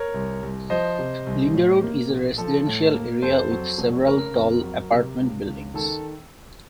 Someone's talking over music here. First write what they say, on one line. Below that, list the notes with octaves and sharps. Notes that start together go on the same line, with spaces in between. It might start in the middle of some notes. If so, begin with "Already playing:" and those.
Linderud is a residential area, with several tall apartment buildings.
Already playing: A#4 C#5
C2
C2
F3 C5 D#5
C3
C2
A2
A#3
A#1
F3 A4
A2
A#3
F2 A4 C5
F#3
F1
C#3 A#4
F2
F#3
C3
C#2
C#2
D#3 A4